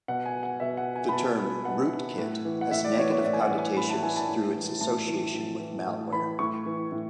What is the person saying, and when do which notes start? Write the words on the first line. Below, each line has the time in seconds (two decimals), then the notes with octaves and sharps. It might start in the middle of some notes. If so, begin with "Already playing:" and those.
The term "rootkit" has negative connotations through its association with malware.
0.08 B2 F#5
0.26 G#5
0.43 F#5
0.60 B2 E5
0.77 F#5
0.96 G#5
1.09 B5
1.13 B2 A5
1.65 B2 F#5
2.18 A2
2.45 E3
2.61 F#5
2.71 A2 E5
2.84 D5
2.97 E3 C#5
3.11 C#5
3.24 A2 D5
3.33 G#5
3.41 F#5
3.50 E3
3.59 G#5
3.76 A2 B5
3.90 A5
4.03 E3 G#5
4.16 A5
4.29 A2
4.56 E3
4.81 A2 A5
5.07 E3
5.35 A2
5.60 E3
5.87 A2
6.13 E3 B5
6.39 A2 C#6
6.66 E3
6.92 A2